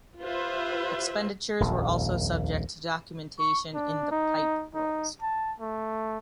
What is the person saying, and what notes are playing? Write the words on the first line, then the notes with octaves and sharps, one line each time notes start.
Expenditures were also subject to documentation in the Pipe rolls.
F4 G4 B4 C5 E5
D#1 A#1 F2
C#6
D4
D#4
D#4
A5
A3